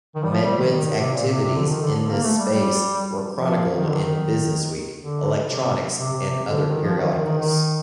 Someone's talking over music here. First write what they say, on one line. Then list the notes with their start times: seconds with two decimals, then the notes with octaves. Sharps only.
Medwin's activities in this space were chronicled in Business Week, Electronics and other periodicals.
0.15 D#3
0.23 G3
0.30 F3
0.43 G3
0.57 D#3
0.71 D#3
0.84 D#3
0.99 C3
1.13 A#2
1.27 C3
1.41 C3
1.55 D3
1.69 D#3
1.82 D3
1.97 D3
2.10 A#3
2.23 A3
2.38 G3
2.52 G3
3.35 F3
3.77 D#3
3.89 D3
3.97 D#3
5.02 D3
5.44 C3
6.00 C3
6.13 C3
6.27 C3
6.48 D3
6.69 D#3
6.83 F3
6.97 D#3
7.11 D#3
7.24 D#3
7.38 D#3